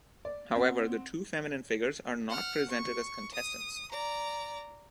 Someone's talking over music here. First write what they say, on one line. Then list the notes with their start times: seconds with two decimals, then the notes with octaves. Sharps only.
However, the two feminine figures are not presented as contestants.
0.25 D5
0.56 C4 F#5
2.29 F#5 F6
2.69 C#6
3.33 D#6
3.91 D5 A#5